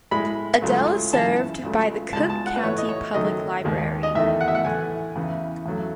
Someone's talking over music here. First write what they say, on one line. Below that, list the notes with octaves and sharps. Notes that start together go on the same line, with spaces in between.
Adel is served by the Cook County Public Library.
A2 G#3 B5
C#2 C#3 F#3 A3
F#2 C#3 E3 G#3 A5
C#2 C#3 F#3 A3
C#2 B2 G#3 A5
A5
F#5
B4
A2 E3 A3 C#5
D#5
C#5
F#2 D#3 F#3 A3 D#5
D#2 D#3 G#3
D#5
E2 D#3 A3 E5
F#5
E5
F#5
A2 E3 A3 G#5
E2 C#3 E3
E2 C#3 F#3 A3